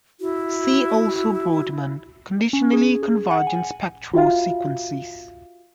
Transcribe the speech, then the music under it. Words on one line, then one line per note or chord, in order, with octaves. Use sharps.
See also Boardman, Conditionally Convergent Spectral Sequences.
E4 F#4
C#4
G#4
G#4
F#5
G#5
F4 F#4 E5 F5